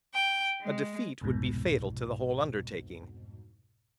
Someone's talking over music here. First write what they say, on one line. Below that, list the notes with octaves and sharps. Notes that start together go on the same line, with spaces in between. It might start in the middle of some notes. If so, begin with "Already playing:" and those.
A defeat would be fatal to the whole undertaking.
G5
G#3
C2 F2 G#2 B2